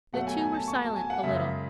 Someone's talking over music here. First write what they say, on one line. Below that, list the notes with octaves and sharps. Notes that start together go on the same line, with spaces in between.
The two were silent a little.
B2 F#3 A3 F#5
G#5
G#5
A5
C#6
A5
G#5
F#5
F#2 C#3 G#3 E5